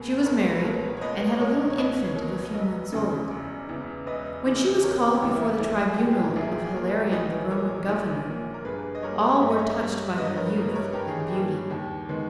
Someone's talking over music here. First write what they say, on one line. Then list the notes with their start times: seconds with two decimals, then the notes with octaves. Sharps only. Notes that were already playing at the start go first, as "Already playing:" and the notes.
She was married, and had a little infant of a few months' old. When she was called before the tribunal of Hilarion the Roman Governor, all were touched by her youth and beauty.
Already playing: C#2 B2 A#3 G#4
0.20 B4
0.25 C#2 A#4 C#5
0.55 B4
0.63 B2 A#3 A#4 C#5
0.97 C#5
1.01 C#2 B4 D#5
1.40 B2 A#3 A#4 C#5
1.71 C#5
1.77 C#2 B4 D#5
2.16 B2 A#3
2.54 E1 B4 D#5
2.92 E2 C#3 E3
3.31 E1
3.69 E2 C#3 E3
4.06 E1 B4 D#5
4.46 E2 C#3 E3
4.83 E1 A#4 C#5
5.09 G4
5.22 E2 C#3 E3
5.34 E4
5.60 A#1 E4
5.87 G#4
5.98 A#2 A#3 G4
6.11 B4
6.23 A#4
6.36 A#1 E4 G#4
6.74 A#2 A#3 A#4
6.88 B4
7.00 C#5
7.12 A#1 B4 D#5
7.50 A#2 A#3 A#4 C#5
7.89 A#1
8.26 A#2 A#3
8.54 A#4
8.65 G2 G#4 B4
8.95 D#5
9.03 G3 A#3 A#4 C#5
9.41 G2 E5
9.50 D#5
9.59 C#5 E5
9.80 G3 A#3
10.17 G2 B4 D#5
10.37 A#4 C#5
10.56 G3 A#3
10.68 B4
10.75 A#4 C#5
10.93 G2 G4 A#4
11.08 G#4
11.19 G4
11.32 G3 A#3
11.71 D#2 G4
12.09 D#3 G#3 B3